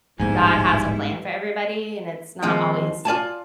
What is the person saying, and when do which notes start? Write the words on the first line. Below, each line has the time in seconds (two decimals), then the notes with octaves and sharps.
God has a plan for everybody, and it's not always,
0.20 D1 A#1 G#2 G3 B3 E4 G#5
2.42 D#2 F3 G#3 C4 G5
3.05 F4 D5 G#5 A5